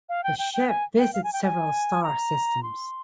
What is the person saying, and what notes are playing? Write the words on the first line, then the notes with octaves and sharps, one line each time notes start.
The ship visits several star systems.
F5
G5
G5
G5
G#5
G5
F5
G#5
G5
G#5
A#5
C6